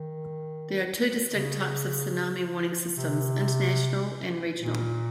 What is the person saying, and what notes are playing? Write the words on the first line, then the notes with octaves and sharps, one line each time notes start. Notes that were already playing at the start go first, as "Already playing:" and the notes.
There are two distinct types of tsunami warning systems: international and regional.
Already playing: D#3
C#3
C3
A#2